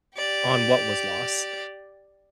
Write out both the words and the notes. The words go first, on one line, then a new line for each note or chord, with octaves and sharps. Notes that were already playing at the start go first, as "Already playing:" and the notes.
on what was lost,
G4 D5